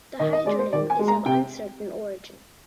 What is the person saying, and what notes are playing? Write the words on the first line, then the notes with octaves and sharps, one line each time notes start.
The hydronym is of uncertain origin.
D#3 D#5
D#5
G#3 D5
C5
D#3 D5
G#5
G#3
A#5
C3 G5